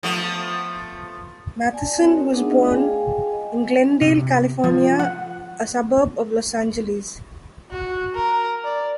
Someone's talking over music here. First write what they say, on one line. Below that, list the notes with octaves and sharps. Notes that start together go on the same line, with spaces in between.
Matheson was born in Glendale, California, a suburb of Los Angeles.
F3 A3 B3
D5 G#5 A5
C4 F#4 A#4 C#5
B3 D4 D#4 G#4 E5 F#5
A3 F4 D5 D#5 F5
G#4 F5 G5 G#5
D#5 G#5
C3
F3
F#5
F#4
A#4
D5